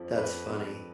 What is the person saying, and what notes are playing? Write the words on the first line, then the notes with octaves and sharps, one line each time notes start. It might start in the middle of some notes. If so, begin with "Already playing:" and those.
That's funny.
Already playing: F2 F3
F2 B4
F2